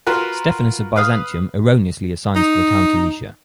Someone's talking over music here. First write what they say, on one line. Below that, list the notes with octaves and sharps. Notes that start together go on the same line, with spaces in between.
Stephanus of Byzantium erroneously assigns the town to Lycia.
F4 F#4 A#4 B4
B4 F5 D#6
D#4